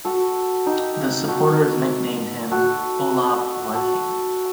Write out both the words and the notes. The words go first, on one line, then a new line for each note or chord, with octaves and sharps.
The supporters nicknamed him "Olav Viking".
F#4 A4
D#4 G4
F#4 A4
F#4 A4
F#4 A4